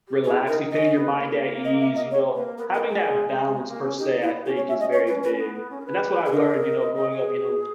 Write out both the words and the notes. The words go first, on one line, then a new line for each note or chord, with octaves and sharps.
relaxing, putting your mind at ease, you know. Having that balance, per se, I think is very big, and that's what I've learned, you know, growing up, you know,
G4
E4 G#4
D#4 A#4
C#4 D#4 D#5
B3
A#3
D#5
E5
D#5
C#5
A#3 B4
B3 A#4
B3 A#4
A#3
G#3 G#4
G#3
A#3
C#4
D#4 G4
B3 E4
C#4 G4
C#5
E5
D#5
C#5
B4
B4
B3
B3
C#4
A#4
B4
G#4
A#4 D#5
D#5
D#5
G#4